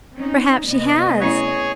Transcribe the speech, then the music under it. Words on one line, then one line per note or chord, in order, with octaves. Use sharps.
Perhaps she has.
C4 C#4 D#4
C3 B3 D#5
A3 C#4 E4 G#4 C#5